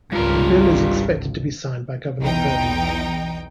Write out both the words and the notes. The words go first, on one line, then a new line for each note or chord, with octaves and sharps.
The bill is expected to be signed by Governor Perdue.
G#1 C#2 G2 F4 A#4
B1 E2 D#4 G5